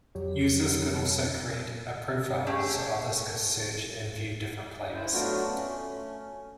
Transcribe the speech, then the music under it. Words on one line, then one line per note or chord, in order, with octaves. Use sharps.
Users could also create a profile, so others could search and view different players.
F2 F#3 G4 C#5
A3 C#4 D4 G4 G#4
E4 C5
F#3 A3 B3 D4 F4 F#4
A3 C#4